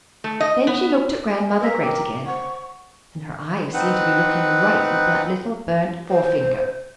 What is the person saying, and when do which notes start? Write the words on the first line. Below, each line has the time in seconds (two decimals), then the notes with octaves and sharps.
Then she looked at Grandmother Great again and her eyes seemed to be looking right at that little burnt forefinger.
0.24 A3
0.40 D#5
0.67 B3
1.36 G#5
1.60 A#4 B4 E6 B6
1.83 G5 A#5 D6
2.26 C5 F#5 C#6
3.73 C4 D#4 B4 F#5
6.09 C5